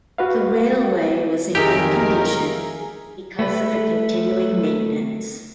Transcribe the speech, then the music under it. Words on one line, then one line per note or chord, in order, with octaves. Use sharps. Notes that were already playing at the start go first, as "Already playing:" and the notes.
The railway was in good condition because of the continuing maintenance.
F#4 B4 F5
F2 D#3 G4 G#4 A#4 E5 F5
A3 B4